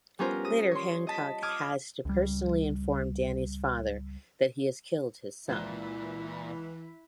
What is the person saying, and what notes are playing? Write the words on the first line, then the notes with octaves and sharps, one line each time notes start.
Later Hancock has to personally inform Danny's father that he has killed his son.
G3 B3 C#4 F4 A#4 C5
D#6 A#6
C#5 C6
D#5 A5 B6
D6 D#6 F6 G#6
C#2 G3
C#2 A#2 E3 E4 F#6 G7